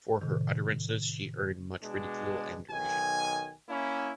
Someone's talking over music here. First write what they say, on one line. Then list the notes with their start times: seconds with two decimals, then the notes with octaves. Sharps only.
For her utterances she earned much ridicule and derision.
0.21 A2 C3 D#3
1.82 B2 G#3 D4
2.71 B1 D#3 G#5
3.69 A#3 C#4 E4